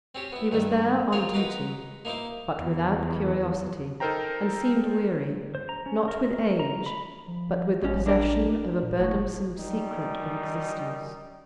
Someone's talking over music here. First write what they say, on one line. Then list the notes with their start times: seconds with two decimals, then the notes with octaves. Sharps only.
He was there on duty, but without curiosity, and seemed weary, not with age, but with the possession of a burdensome secret of existence.
0.15 C4 C#4 G4
0.32 B3 E4
0.52 G2 D#3 E4
1.12 F4 G#4 A#4 C5 C#5
1.33 D#4 F#4 B4 A#5 C6 D6
2.05 A#3 D#4 E4 C5 D6
2.59 E2
4.00 D#4 A4 A#4 C5 G5 A#5
5.55 C5
5.69 A#5
5.86 C#4
6.08 A#4
6.59 A#5
6.86 B5
7.28 F3
7.82 A1 G#2 C#4
8.06 D4 A#4 D5
8.82 A#2
8.99 F#1 A2
9.57 F#2 D#3 G3 D#4